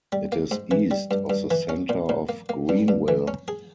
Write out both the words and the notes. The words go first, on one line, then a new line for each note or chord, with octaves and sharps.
It is east of the center of Greenville.
G3
A#3
G#2
E3
G3
G2
G2
E3
C#4
A#2
A#2
A#3
A#3
G2
G2
E3
C#4
G#4